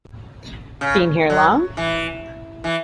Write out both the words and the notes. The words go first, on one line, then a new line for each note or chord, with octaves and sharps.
Been here long?
C#3
F#3
E3
E3